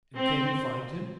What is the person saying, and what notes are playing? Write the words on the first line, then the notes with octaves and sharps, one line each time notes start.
"And can you find him?"
C4